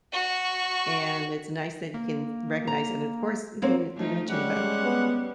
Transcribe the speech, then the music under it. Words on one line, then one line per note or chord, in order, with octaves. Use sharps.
and it's nice that you can recognize and, of course the the mention about,
F#4 C#6
A#3
A#5
F#3 A#3 C4
F3 A3 D#4
G3 G#3 C#4 F#5
B3